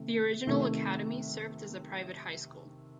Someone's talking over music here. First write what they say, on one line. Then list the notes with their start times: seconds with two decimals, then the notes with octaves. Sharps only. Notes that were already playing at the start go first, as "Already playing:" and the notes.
The original academy served as a private high school.
Already playing: C3 D#3 A3
0.47 C3 D#3 A3